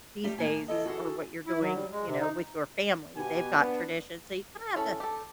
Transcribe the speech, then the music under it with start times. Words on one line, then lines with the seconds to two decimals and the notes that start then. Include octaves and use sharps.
these days or what you're doing, you know, with your family. They've got traditions, so you kinda have to
0.24 G3 A3 G4
0.38 A2 A#3 G#5
0.68 E3 A4 D#5
0.86 F#4 G#4 A4
1.47 E4
1.61 F#3
1.75 G3
1.92 G#3
2.06 C3
2.19 D#4
3.16 B2 B3 G4 G#5
3.58 B3 D4
4.76 C#4 E4 A4
5.00 G4 A4